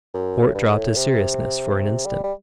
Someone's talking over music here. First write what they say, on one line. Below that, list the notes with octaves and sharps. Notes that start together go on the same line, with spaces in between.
Fort dropped his seriousness for an instant.
F#2
A2
G2
A2
C3
G3
G3